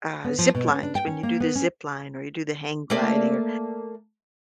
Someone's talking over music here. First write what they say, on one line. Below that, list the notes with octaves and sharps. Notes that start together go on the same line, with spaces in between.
ah, ziplines, when you do the zipline or you do the hang gliding or
B3
F3
B2
C#4
D4
G5
C#4
A#3
B3
C#4
A3 A#3 D5